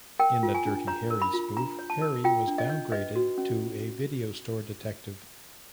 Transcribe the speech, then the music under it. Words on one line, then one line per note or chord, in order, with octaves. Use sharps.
In the "Dirty Harry" spoof, Harry was downgraded to a video store detective.
A#4 G5
F4
G#5
D4
C#5 A#5
A#4
B5
F4
D4 A#5
C#5
A5
A#4
F4 G5
D4
D#5
C#5
B4 D#5
F#4
C#4